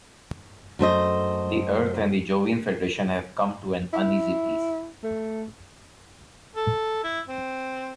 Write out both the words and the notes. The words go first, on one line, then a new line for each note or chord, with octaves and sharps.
The Earth and the Jovian Federation have come to an uneasy peace.
F#2 A3 C5 D#5
E4
A3
A4
E4
C4